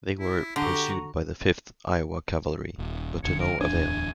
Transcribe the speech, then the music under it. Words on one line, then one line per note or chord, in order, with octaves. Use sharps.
They were pursued by the Fifth Iowa Cavalry, but to no avail.
E4
D3 F#4 G4 A#5
D#1
E1 D3 C#5
A#4
D1 E2 D4 G#5